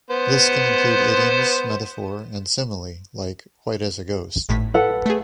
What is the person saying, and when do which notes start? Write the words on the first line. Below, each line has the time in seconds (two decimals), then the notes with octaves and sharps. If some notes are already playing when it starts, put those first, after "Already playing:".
This can include idioms, metaphor, and simile, like, white as a ghost.
0.10 B3 C5
4.49 G#1 A2 B6
4.74 A4 B4 F#5
5.06 A3 G#4